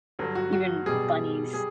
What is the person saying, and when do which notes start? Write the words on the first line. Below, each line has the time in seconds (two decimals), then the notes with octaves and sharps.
even bunnies.
0.19 G2 D3 F#3
0.35 F#4
0.53 F#4
0.86 B2 G3 G#4
1.53 G3 G#4